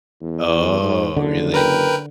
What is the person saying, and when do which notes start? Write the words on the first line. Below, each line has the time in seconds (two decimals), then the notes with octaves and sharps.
Oh, really?
0.21 E2
0.82 G#2
1.16 F#1 D3
1.54 A#4 B4 G5